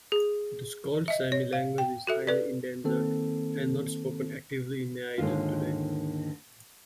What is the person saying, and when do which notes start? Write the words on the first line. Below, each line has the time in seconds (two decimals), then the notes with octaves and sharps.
The Skolt Sami language is highly endangered and not spoken actively in Neiden today.
0.12 G#4
1.08 D#5 E5
1.32 C#5
1.53 F5
1.78 G5
2.07 F#4 A4 E5
2.27 A4 B4 D5
2.84 D#3 A#3 C4 A4
5.18 D#2 G#2 D3 D#3 F4